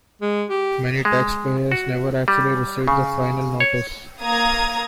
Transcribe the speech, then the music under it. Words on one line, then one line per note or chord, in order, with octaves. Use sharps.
Many taxpayers never actually receive the final notice.
G#3
G4
G#3
F#4
G3
C#3
C#5
A#3 F5 A#5 D#6 G#6